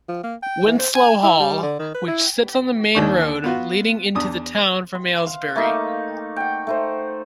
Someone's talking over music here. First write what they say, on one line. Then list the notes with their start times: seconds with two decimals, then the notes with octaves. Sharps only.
Winslow Hall, which sits on the main road leading into the town from Aylesbury.
0.09 F3
0.23 A#3
0.43 G5
0.66 E3
0.79 C5
0.95 G#5
1.23 E4
1.40 G3
1.63 D3
1.79 D#3
1.95 B4
2.08 E4
2.95 D#2 D#3 D4 C#6
3.44 B3 F4 F#4
4.15 E2 D4 D#6
4.95 C6
5.26 F5
5.56 A3 A#3 D#4
6.36 F#5 G5
6.67 A3 D#4 C5